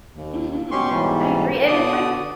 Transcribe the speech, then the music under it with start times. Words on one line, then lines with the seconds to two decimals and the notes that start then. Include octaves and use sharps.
Mhm, I agree, and it's, like,
0.15 D#2
0.71 B2 C#4 G4 C6 C#6
0.90 G#2 B2 E3 G3
1.68 B2 D3 D5 D#6